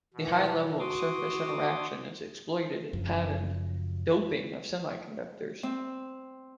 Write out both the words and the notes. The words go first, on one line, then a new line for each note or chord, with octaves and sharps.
The high level of surface interaction is exploited in patterned doping of semiconductors.
B2 E3
F#4 C6 D6 D#6
F#1 F#2 C#3 F3
C4